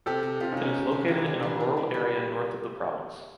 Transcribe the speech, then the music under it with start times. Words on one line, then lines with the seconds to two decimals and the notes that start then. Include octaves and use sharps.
It is located in a rural area North of the province.
0.06 C3 G4 A4
0.23 C3
0.40 C3 F4 G4
0.52 C#4 D#4
0.57 G#3
0.63 C#4 D#4
0.74 G#3
0.92 C3
1.08 D#3 D#4 F4
1.20 D4 E4
1.26 D#3 C#4
1.31 C4 D4
1.43 E3 D4 E4
1.60 E3
1.77 G3
1.94 G3